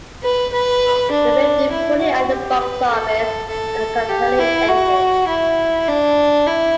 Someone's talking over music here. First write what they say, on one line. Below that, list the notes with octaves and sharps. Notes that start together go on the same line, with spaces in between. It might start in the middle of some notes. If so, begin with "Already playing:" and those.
The film did poorly at the box office, and the company ended.
B4
B4
D4
E4
F#4
G4
B4
A4
A4
G4
E4
F#4
E4
D4
E4